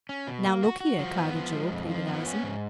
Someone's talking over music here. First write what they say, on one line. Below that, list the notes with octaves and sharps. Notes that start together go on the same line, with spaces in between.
"Now, look here, Cloudy Jewel," pleaded Allison.
C#4
B2
A#3
F#4
F#4
F3
B3
F3
G#3
F2
F3
B3
C#4
G#2